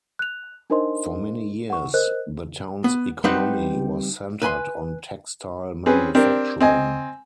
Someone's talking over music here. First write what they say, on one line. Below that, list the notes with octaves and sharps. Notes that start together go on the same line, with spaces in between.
For many years, the town's economy was centered on textile manufacturing.
F#6 F7
D4 D#4 A#4 C5 D#5 C6
F#5 C#6
A#4 C5 D#5 F#6
B3
G3 C4 D#4 G4 B4 F#5
B4 G#5 B5 C6
C4 C#4 G#4 B4
C4 D4 G4 A#4
C4 D#5 G#5